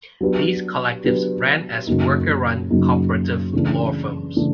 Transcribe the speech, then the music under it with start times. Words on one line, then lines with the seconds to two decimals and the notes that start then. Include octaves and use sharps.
These collectives ran as worker-run, cooperative law firms.
0.21 F#3 B3 D4 G4 B4
1.04 F#3 B3 D4 G4 B4
1.87 F#2 C#3 F#3 A#3 D#4
2.70 F#2 C#3 F#3 A#3 D#4
3.53 C#3 E3 A3 D4
4.36 C#3 E3 A3 D4